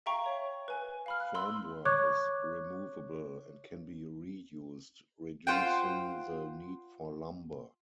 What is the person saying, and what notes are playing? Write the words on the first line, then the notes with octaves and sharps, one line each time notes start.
Formwork is removable and can be reused, reducing the need for lumber.
E5 F5 G5 A#5 C#6
C#5
B4 G#5
F5 B5 F6
F#6
B5 C6 E6
C#5 C#6 D6 F#6 G#6
F4 C5 F#5 G5